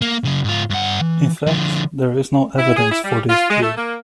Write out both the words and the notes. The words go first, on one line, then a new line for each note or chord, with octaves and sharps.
In fact, there is no evidence for this view.
A#3
C#3 F#3
G#2 F4
G2 F#5
E3
D3 F3
E4
G#4
E4
G3
F4
G#3
A3
A#3